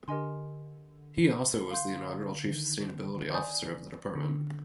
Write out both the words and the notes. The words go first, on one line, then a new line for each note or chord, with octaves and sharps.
He also was the inaugural Chief Sustainability Officer of the department.
D3 G4 A#4 D#5 G#5 C6
F5 C6 G6
D3
D#3
D5 G#5 D#6 G6
D3